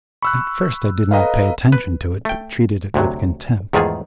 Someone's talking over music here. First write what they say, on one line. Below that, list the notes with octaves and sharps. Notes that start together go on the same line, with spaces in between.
At first I did not pay attention to it, but treated it with contempt.
B5 C#6 E6 F#6
A4 B4 D#5 F5 A#5
B4
A3 G5
D2 C3 F#3
E2 G#2 D#3 A3 F4 G#4